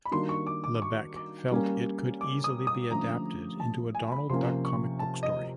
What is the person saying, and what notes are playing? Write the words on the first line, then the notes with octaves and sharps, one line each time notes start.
Lebeck felt it could easily be adapted into a Donald Duck comic book story.
B5
D#3 G3 A#3 D4 F#4 C6
C#6
D6
D6
D6
C#6
D6
G3 A#3 C#4
D6
D#6
D#6
D3 F3 A3 C#4 A#5
A5
G#5
B5
C3 F3 A#3 C#4 C6
C#6
A5
D#5